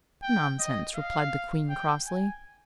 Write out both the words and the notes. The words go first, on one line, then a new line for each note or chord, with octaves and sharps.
'Nonsense!' replied the queen crossly.
G5
D#5
F5
G5
G#5